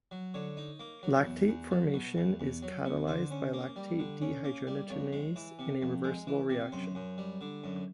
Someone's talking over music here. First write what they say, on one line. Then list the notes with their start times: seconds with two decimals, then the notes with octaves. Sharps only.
Lactate formation is catalyzed by lactate dehydrogenase in a reversible reaction.
0.11 F#3
0.34 D3 C#5
0.57 D#4
0.80 A#3
1.03 F#3
1.25 E2
1.48 E2
1.71 F#3
1.94 B2
2.17 E2
2.40 E2
2.62 F#3
2.85 B2
3.07 D3 C5
3.31 C#4
3.53 A#3
3.76 G3
3.99 D3
4.21 C#4
4.44 A#3
4.67 G3
4.90 F2 C#5
5.13 G#3
5.36 E3
5.59 C3
5.81 F2
6.04 G#3
6.27 E3
6.50 C3
6.72 F#2 C5
6.95 F#2
7.18 G3
7.41 D3
7.64 F#2